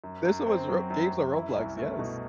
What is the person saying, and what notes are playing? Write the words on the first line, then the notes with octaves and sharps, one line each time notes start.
There's so much Ro games on Roblox, yes.
F#2
F#2
C4
F#3
F#2
F#2
E4
C2
A3
B2